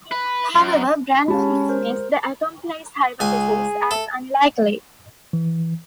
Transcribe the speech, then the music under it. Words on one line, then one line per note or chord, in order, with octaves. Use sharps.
However, Brandon dismissed the accomplice hypothesis as unlikely.
B4
F#2
G#3 C#4 G4 A5 B5
A#4 C5
C#2 G#4 G#5
A3 A4
E3